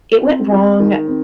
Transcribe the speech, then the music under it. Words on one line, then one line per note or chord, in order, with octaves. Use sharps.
it went wrong
C4
G#3
D#3
C4